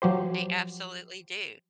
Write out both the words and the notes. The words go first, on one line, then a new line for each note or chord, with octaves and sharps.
They absolutely do.
F3 F#3 G4 C5